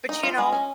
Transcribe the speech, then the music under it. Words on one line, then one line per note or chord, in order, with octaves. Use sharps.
But you know,
D#4
F4
G#3
C#4